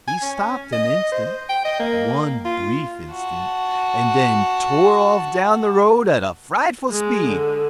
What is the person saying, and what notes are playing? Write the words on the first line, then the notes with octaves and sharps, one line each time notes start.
He stopped an instant, one brief instant, and then tore off down the road at a frightful speed.
G#5
C#4
D#5
C5
G5
D#5
A#3
F4
F#4 A5
G#3
D3